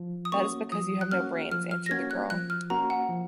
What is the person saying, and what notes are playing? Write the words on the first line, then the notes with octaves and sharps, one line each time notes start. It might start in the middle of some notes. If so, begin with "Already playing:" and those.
"That is because you have no brains," answered the girl.
Already playing: F3
D#6
A#3 C#4 F#4 C#6
F3 D#6
F#6
A#3 C#4 F#4 F6
F3 F6
F6
A#6
A#3 C#4 F#4 G#6
F#6
F3 F#6
F6
A#3 C#4 F#4 A#5
F#5
F3